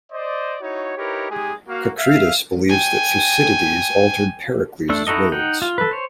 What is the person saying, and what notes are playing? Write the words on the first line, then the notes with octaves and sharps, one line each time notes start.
Kakridis believes that Thucydides altered Pericles words.
C5 D5 D#5
D#4 E4 F#4 C#5
D#4 E4 G4 A#4 B4 C#5
G#3 D#4 G4 G#4 D#5 G#5
A#3 F#4 F5
E5 F5
G5 G#5
A3 D4 A4
D#4 E4 F#4 A4 D#5
D#4 F#5 G5
F4
A4 B4
C5 C#5